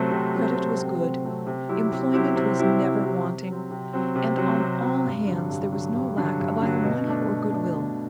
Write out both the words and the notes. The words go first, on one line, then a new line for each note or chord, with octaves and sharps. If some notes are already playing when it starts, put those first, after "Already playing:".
Credit was good, employment was never wanting, and on all hands there was no lack of either money or good-will.
Already playing: C3 F#3 A3 C4
C3
F#3 A3 C4
C3
F#3 A3 C4
C3
F#3 A3 C4
C3
F#3 C4 E4 G4
C3
F#3 C4 E4 G4
C3
F#3 C4 E4 G4
C3
F#3 C4 E4 G4
C3
F#3 C4
C3
F#3 C4
C3
F#3 C4
C3
F#3 C4
G2
D3 F#3
G2
D3 F#3
G2
D3 F#3
G2
D3 F#3
B2
A3 D4
B2
A3 D4
B2